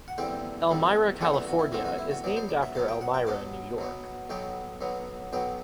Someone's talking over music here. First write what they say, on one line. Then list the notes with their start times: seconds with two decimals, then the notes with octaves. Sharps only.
Elmira, California, is named after Elmira, New York.
0.08 F#5
0.18 E2 D3 G3 C4 G5
0.69 E2 D3 G3 C4
1.21 E2 D3 G3 C4 F#5
1.34 B4
1.47 F#4
1.59 E4
1.72 E2 D3 G3 C4 F#4
1.85 F#4
1.98 E4
2.11 F#4
2.24 B2 F#3 B3 D5
2.37 C5
2.49 D5
2.63 E5
2.75 B2 F#3 B3 A5
2.88 G5
3.01 F#5
3.14 G5
3.27 B2 F#3 B3 A5
3.78 B2 F#3 B3
4.30 B1 B2 F#3 B3 G5
4.81 B1 B2 F#3 B3
5.33 B1 B2 F#3 B3 G5